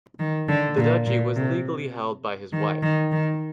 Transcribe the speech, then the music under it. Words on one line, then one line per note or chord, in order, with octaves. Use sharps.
The duchy was legally held by his wife.
D#3
D3
A#2
A#2
C3
D#3
D#3
D#3